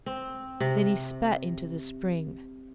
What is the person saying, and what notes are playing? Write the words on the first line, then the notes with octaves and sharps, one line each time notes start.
Then he spat into the spring.
C4
C3